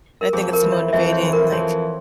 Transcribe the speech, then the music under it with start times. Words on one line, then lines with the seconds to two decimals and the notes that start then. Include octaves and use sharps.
And I think it's motivating, like,
0.21 A#4
0.33 F2 G#4
0.53 A#4
0.62 E3
0.72 C#5
0.93 F2 E5
1.13 C#5
1.22 E3
1.33 A#4
1.52 F2 C#5